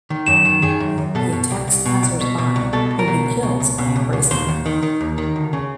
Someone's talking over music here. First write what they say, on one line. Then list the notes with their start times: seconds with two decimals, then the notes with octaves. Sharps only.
He attacks passers by, whom he kills by embracing them.
0.10 D#3
0.27 F#2
0.45 D#3
0.62 D#3 G#4
0.80 F#2
0.98 F#2
1.15 B2 A4
1.32 B2
1.51 C2
1.68 C2
1.86 B2
2.03 C2
2.21 B2
2.38 B2
2.56 C2
2.73 B2 A4
2.91 C2
2.99 A#4
3.08 B2
3.26 C#2
3.43 B2
3.60 C#2
3.78 B2
3.96 C#2
4.13 C#2
4.31 D#2 C5
4.49 D#2
4.66 D#3
4.83 D#3
5.01 D#2
5.18 D#3
5.36 D2
5.53 C#3